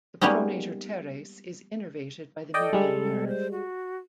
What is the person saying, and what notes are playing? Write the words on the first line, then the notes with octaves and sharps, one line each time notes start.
The pronator teres is innervated by the median nerve.
G3 G#3 A#3 B3 C#4 D#4
A4 D5 D#5 G5
G3 G#3
C5
F#4